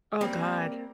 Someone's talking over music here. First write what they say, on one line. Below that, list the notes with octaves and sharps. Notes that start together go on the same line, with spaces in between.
Oh god.
G3 A#3 C4 A#4